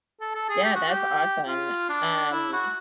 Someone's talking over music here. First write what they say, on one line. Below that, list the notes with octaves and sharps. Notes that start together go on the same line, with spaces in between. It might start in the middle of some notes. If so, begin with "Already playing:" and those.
Yeah, that's awesome. Um
A4
A4
G#4
G4
F#4
G4
F4
D4
E4
F#4